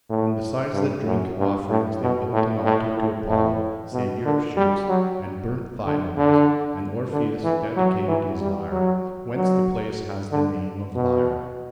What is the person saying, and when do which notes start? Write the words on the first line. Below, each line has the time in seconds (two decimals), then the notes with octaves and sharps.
And besides the drink offerings they built an altar to Apollo, saviour of ships, and burnt thigh bones; and Orpheus dedicated his lyre; whence the place has the name of Lyra.
0.09 A2
0.73 G2
1.06 F#2
1.37 G2
1.70 A2
2.02 B2
2.33 A2
2.64 A2
2.97 A2
3.29 A2
3.93 B2
4.25 D3
4.57 G3
4.88 F#3
5.85 D3
6.17 D3
7.12 D3
7.44 E3
7.77 F#3
8.08 E3
8.40 G3
8.72 F#3
9.35 F#3
10.31 D3
10.95 B2